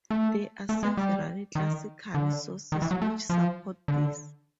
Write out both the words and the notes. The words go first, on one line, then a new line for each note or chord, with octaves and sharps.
There are several classical sources which support this.
A3
A3
G#3
G3
D#3
D3
D#3
E3
F#3
A3
F3
D3